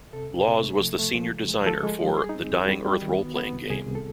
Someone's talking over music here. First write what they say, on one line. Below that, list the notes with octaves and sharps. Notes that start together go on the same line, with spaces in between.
Laws was the senior designer for "The Dying Earth Roleplaying Game".
C3 A4
C#2
C3
A3
F3
A3
F3
C#3
G#3
F3 A4
G#3
F3
G3 G#4
D#4
C4
D#2 F#4
G3
G3
D#3
B3
B3
C2
C2 G#4
C2
A4